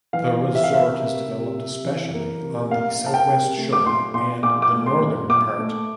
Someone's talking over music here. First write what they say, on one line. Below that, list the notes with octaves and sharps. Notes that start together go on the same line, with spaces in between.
The resort is developed especially on the southwest shore and the northern part.
E3 F5
C3
E5
F5
A#3 E5
C3
C3
C3
E3
A#3
C3
A#3 F5
A#3
A5
G5
C3
A3
D6
A#2 C6
A#2 C6
A#2 D6
D6
A3
C6
A#2
A#2 D6
A3